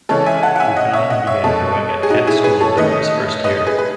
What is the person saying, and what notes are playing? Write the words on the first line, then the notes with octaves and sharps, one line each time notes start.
Buchan began rowing at Kent School during his first year.
C#3 E3 G#3 C#4 A4 C#5
E5 G#5
F#5 A5
F#5
E5 G#5
D#5 F#5
C#5 E5
D#5 F#5
C#5 E5
B2 G#3 C#4 A4 C#5
G#4
D#4 F#4
E4 G#4
G#4 B4
A4 C#5
D#3 A3 C#4 B4 D#5
B4 D#5
G#4 B4
B4